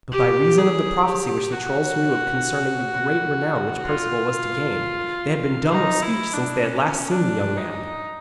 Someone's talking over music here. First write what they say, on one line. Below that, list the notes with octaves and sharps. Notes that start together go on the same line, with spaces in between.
But by reason of the prophecy which the trolls knew of concerning the great renown which Perceval was to gain, they had been dumb of speech since they had last seen the young man.
G4
G#4
G4
F#4
F4
D#4
E4
D4
C#4
D4
D#4